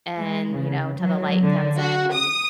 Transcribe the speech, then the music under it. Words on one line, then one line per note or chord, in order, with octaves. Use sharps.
and, you know, till the light comes in and
G#3
C#3
F#3
D3
F#4
D#6